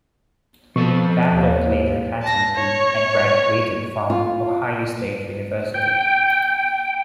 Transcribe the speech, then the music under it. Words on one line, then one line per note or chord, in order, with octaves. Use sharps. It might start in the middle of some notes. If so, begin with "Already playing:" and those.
Backderf later transferred to, and graduated from, Ohio State University.
B2 F3 C4 A4 C#6
D#2
A5 A#6
C#5
F4
G5